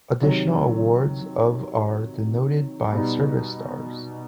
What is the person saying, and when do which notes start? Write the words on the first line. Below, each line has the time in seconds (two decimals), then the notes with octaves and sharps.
Additional awards of are denoted by service stars.
0.22 C3 D#3 F#3
2.93 B2 G3 B3 D#4